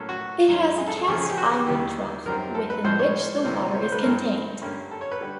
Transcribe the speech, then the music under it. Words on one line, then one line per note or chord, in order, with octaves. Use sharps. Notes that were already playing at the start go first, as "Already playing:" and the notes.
It has a cast iron trough within which the water is contained.
Already playing: A2 F#3 A#3 C#4 A4
F#4
F#2 D#3 G#3 C#4
G#4
A4
A4
E2 C#3 F3 A#3 C#4 G#4
G#4
G4
F#4
G4
D#2 C#3 E3 G3 G4
F#2 D#3 G3 C4 A#4
A4
B4
A2 F3 G#3 C4 C5
C#5
D2 C3 E3 G3 C4
C#5
C5
B4
G2 E3 A3 C4 A#4
G2 D3 G3 A#3 C#4
A4
C#5
B4
D3 G3